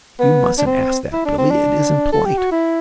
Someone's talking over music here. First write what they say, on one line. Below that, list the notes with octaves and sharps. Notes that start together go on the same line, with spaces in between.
"You mustn't ask that, Billie; it isn't polite!"
B3
D4
C4
E4
D4
C4
D4
A4
G4
F#4
E4